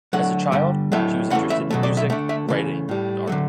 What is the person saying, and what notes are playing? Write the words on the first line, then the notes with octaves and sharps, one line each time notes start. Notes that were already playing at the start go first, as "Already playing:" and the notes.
As a child, she was interested in music, writing and art.
D3 F#3 A3 F#5
D3 G3
A2 F#3 A3 E5
C#3 E3 A3 F#5
E5
B2 F#3 A3
D5
E5
D3 A3 E5
E5
C#3 E3 A3
A2 G3
D3 F#3 A3